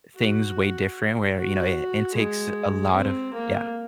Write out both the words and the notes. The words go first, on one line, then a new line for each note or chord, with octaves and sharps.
things way different where, you know, eh, it takes a lot of yeah.
F#4
F#4
G#3
C4
A#3